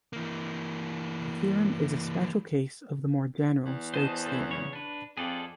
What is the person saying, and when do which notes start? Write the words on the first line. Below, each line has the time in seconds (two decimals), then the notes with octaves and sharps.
The theorem is a special case of the more general Stokes' theorem.
0.13 E3 A#3
3.66 E2
3.94 C5 D#5 A5
4.26 A4 C5 E5
4.48 C#3 C#5
4.73 D4 B4
5.17 F2 G#4 A4 D5